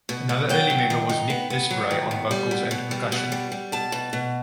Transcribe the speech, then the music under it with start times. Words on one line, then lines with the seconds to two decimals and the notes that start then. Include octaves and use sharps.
Another early member was Nick Disbray on vocals and percussion.
0.09 B2
0.29 B2
0.49 F#3 G5
0.70 F#3
0.90 D#3
1.09 D#4
1.30 B3
1.50 B3
1.71 F#3
1.91 D#3
2.11 B2
2.31 G3
2.51 B2
2.71 B2
2.91 G3
3.12 B2
3.32 G3
3.52 G3
3.72 B2 A5
3.92 B2
4.13 B2